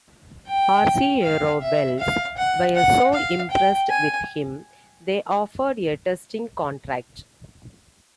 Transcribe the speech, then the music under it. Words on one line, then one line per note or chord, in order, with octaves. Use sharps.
Arciero-Wells were so impressed with him, they offered a testing contract.
G5
F5
E5
F5
F#5
F#5
F5
G5
G#5